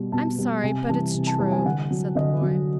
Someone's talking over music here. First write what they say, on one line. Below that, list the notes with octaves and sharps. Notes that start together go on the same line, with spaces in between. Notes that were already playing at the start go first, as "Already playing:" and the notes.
"I'm sorry; but it's true," said the boy.
Already playing: B2 G3
B2 A5
G3
C3 G#5
E3 G3 A5
C3
A5
E3 G3 A5
G#5
D3 F#5
F#3
D3 D#5
F#3